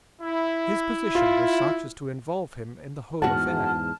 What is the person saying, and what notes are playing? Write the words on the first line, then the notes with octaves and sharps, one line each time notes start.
His position was such as to involve him in the whole affair.
E4
F4
E2 G#2 F#4 F#5 A5 F6